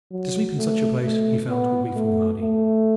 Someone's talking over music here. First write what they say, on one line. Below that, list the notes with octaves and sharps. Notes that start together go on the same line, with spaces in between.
To sleep in such a place, he felt, would be foolhardy.
F#3
A3
A3
B3
A3
A3